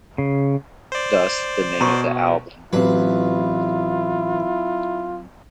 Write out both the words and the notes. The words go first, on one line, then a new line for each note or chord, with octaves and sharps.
Thus, the name of the album.
C#3
C5 D5
B2 A#5 C6 C#6
A1 F#3 C4 E4 F4 B4